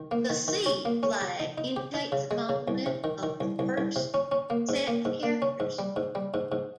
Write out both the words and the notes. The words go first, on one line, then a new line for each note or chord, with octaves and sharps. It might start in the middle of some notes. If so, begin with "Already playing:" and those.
The "c" flag indicates the complement of the first set of characters.
Already playing: D#3
A#3
D#3
D#3
C#4
A#3
C#4
G4
D#4
D#4
G4
D#4
C#3
G#3
C#3
C2
C3
D#3
D#3
C2
C2
C2
C3
C#4
C#4
A#3
G#2
A#3
G#2
A#3
C#4
G#2
G3
G#2
G3
G#2
G#2